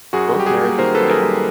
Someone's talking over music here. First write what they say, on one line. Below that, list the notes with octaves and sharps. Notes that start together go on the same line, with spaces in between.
Both marriages were barren.
F#2 F#4 G#4
G3
G4
F#4 G#4
A#3
D#3 A#4 C5
A4 B4
F#2
G#4 A#4
G3